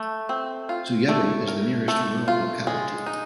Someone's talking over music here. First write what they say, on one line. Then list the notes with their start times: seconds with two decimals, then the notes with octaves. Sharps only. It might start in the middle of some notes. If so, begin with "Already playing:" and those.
Zuyevo is the nearest rural locality.
Already playing: A3
0.29 C4
0.69 F4
1.09 A3
1.48 A#4
1.88 A3
2.28 F4
2.67 G#3
3.06 D#4